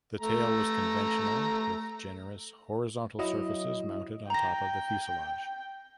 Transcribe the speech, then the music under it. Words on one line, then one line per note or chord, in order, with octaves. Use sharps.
The tail was conventional with generous horizontal surfaces mounted on top of the fuselage.
A3 A#5
F#3 E4 D#5
G5 A#5 A#6